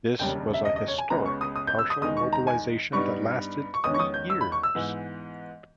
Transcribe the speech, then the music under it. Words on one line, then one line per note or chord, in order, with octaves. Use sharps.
This was a historic partial mobilization that lasted three years.
E1 D#2 C#3 G3 G5
E5
D#5
D#5
C#5
G#5
C#2 C#3 G#3 B3 A#5
C#6
D#6
D#6
G6
E6
D#6
E2 D#3 G#3 D#4 D#6
C#6
A#5
G#5
G2 G3 B3 D#4 C#6
C#6
E2 D#3 G#3 C#4 D#6
C#6
D#6
G6
E6
B5
C#6
E6
G#2 E3 G#3 B3